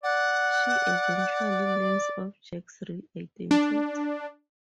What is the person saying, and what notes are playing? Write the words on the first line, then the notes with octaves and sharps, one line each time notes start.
She eventually learns of Jack's real identity.
D5 F#5
D4